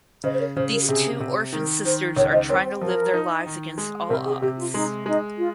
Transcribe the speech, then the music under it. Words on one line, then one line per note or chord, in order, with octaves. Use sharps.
These two orphan sisters are trying to live their lives against all odds.
C#3 C5 D#5
C5
A#4 C#5
C#3 C5
A#4
G4
C3 G#4
C3
D#3 A#4
D#3 C5
C#2 A#4 C#5
C5 D#5
C4 A#4 C#5
C5
F3 A#4
D#4
D#3
G#3
C3 A#4
G#4
C3 G4
F4
G#3 D#4
G#3 D#4
F4